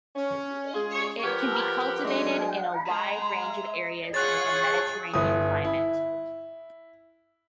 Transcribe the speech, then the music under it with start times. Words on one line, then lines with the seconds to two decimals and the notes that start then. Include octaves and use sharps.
It can be cultivated in a wide range of areas with a Mediterranean climate.
0.16 C#4
0.74 G#3 F4 G#4
1.24 F3 G4 A#4 B4 F#5
2.05 F#3 G#3 A3 D4 G#4
2.86 G#3 A#5
4.14 F4 G#4 C#5 F#5 F#6 A6
5.14 G1 E4 D#6
5.64 E4